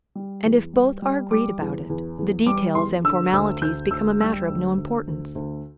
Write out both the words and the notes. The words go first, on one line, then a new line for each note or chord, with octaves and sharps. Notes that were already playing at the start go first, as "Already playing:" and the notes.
And if both are agreed about it, the details and formalities become a matter of no importance.
G3
E2
G3
G3
G3 D6
E2
E2
E2
G3 D6
E2 C6
D3 E6
D2 E6
D2 G6
D2 E6
G3 E6
D2
D2
D2
D2